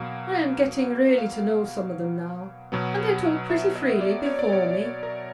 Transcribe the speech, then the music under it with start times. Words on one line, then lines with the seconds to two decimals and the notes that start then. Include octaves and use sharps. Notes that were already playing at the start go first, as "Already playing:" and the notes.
I am getting really to know some of them now, and they talk pretty freely before me.'
Already playing: B2 F#3 A#3 F5
1.18 F5
2.72 B2 F#3 B3
3.50 E5
3.75 D#5
4.01 D5
4.26 C#5
4.39 D5
4.53 C#5
5.03 A#4